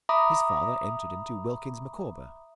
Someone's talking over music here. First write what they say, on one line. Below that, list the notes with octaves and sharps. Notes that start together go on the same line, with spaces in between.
His father entered into Wilkins Micawber.
E5 A#5 B5 D6 D#6